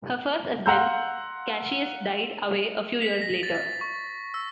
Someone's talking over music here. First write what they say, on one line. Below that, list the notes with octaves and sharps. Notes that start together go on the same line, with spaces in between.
Her first husband, Cassius, died away a few years later.
F5 F#5 A#5 C6 E6 G6
B6
A#6
A6
A6
C#6
E6